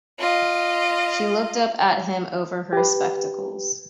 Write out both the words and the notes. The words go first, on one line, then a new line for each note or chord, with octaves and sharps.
She looked up at him over her spectacles.
F4 D#5
G4 B4